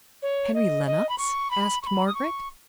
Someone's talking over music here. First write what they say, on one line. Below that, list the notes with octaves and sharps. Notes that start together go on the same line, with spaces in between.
Henry Lennox?' asked Margaret.
C#5
D#5
D#5
B5
C#6
B5
C#6
B5
D#6
C#6